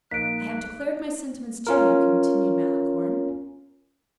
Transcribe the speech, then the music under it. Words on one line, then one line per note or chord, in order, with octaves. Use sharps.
"I have declared my sentiments to you," continued Malicorne.
A#1 A#3 D#4 F#6 B6 D7
C#4 F4 A#4